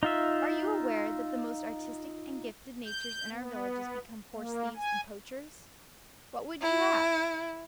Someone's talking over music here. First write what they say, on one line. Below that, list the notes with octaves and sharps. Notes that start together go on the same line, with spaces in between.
Are you aware that the most artistic and gifted natures in our villages become horse-thieves and poachers? What would you have?
D#4 F4 E5
G6
B3
A#3
G#5
E4